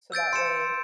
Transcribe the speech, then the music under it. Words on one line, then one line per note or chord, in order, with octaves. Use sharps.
So that way,
E6 G6 A6 D7
C6 C#7 E7